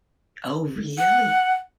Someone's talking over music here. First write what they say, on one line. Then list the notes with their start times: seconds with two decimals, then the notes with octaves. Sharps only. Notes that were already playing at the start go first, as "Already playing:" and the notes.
Oh, really.
0.98 F#5